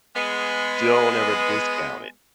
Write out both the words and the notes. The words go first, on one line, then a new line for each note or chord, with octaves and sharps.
Don't ever discount it.
G#3 B3